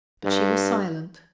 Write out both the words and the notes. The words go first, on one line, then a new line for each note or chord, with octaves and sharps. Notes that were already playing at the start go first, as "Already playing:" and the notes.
But she was silent.
G2